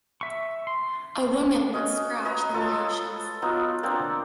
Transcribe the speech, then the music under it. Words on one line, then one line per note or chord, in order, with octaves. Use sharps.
A woman would scratch in the ashes.
E5 C#6
C6
C#4 F#4 D#5
B4 D#5 G#5 A#5
F4 A4 C#5 A5
F#3 B3 D#4 F4
A#3 C4 D4 F#5